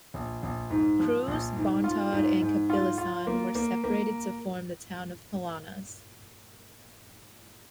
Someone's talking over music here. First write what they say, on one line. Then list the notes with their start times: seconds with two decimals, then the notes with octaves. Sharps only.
Cruz, Bontod and Cabil-isan were separated to form the town of Palanas.
0.14 A#1
0.43 A#1
0.70 G#2
0.99 F3
1.28 A#1
1.56 G#2
1.84 F4
2.13 G#2
2.42 G#2
2.70 F4
2.98 F4
3.27 A#3
3.55 A#3
3.84 A#3